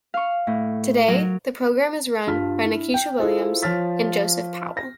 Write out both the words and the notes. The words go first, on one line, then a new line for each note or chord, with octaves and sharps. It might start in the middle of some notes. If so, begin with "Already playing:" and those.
Today, the program is run by Nikisha Williams and Joseph Powell.
F5 C#6
A2
F#3 A#4
G2 F4 A5 F6 B6
D4 E4
G5
E4 F4 G#4 A4 C5
F3 C#5 F6 A6 B6
A#6